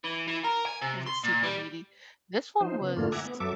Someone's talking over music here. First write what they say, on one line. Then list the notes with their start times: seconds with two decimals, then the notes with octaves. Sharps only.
Was it super needy? This one was
0.04 E3
0.27 E3
0.44 A#4
0.66 G#5
0.82 C3
1.07 C6
1.24 A#2
1.44 G3
2.61 F3 D#4 C5
2.81 C#3 B3
2.97 F2 G#2 D3 A3 A#3 F4
3.12 E5 F#5 G#5 A#5 D6
3.25 B3
3.40 F#2 F#3 A4 E5 D6